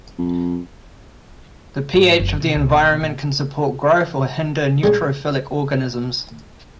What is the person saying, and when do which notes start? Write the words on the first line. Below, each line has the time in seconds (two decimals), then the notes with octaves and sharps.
The pH of the environment can support growth or hinder neutrophilic organisms.
0.18 F2
1.93 G#2
2.20 F#1
2.40 C3
2.55 C2
2.69 E1
2.90 B2
3.01 A#2
4.83 G3 G#3 C#4